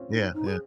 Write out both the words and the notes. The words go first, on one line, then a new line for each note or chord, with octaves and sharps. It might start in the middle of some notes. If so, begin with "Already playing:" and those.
Yeah, yeah.
Already playing: C4 C#4 F4
D#4
D#4
G#4